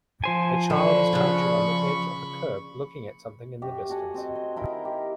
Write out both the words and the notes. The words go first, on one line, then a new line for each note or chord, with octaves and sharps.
A child is crouching on the edge of a curb looking at something in the distance.
F3 C5 G#5
D3 B5 C#6
C#3 D4 F4
F#2 F#4 G4 E5
F#4 A4 F#5 G#5
C4 D#5
C6
D#4 E4 A#4 F5
G4